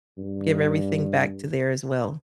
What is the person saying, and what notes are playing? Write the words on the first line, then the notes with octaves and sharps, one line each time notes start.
give everything back to there as well.
G2